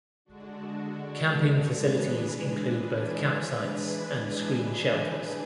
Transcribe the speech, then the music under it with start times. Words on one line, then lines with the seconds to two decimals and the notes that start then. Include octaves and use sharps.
Camping facilities include both campsites and screened shelters.
0.25 D3 G#3 D4 F#4
1.73 E3 G#3 D4 G#4 B4